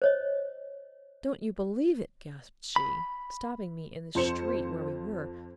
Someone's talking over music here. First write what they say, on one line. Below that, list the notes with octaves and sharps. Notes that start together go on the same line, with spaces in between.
"Don't you believe it," gasped she, stopping me in the street where we were.
C5 C#5 D#5
B5
F2 C5 C#7 E7